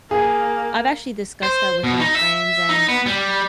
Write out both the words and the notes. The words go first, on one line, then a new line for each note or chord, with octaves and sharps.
I've actually discussed that with my friends, and
A#3 G#4
C5
B2
D#4
E5
D#4
B3
G3